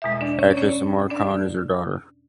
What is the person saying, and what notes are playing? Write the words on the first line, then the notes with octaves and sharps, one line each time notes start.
Actress Amar Khan is her daughter.
E2 B2 G#3 E5
D#5
D4 D5
C#4 C#5
D5
C#4 C#5
D4 D5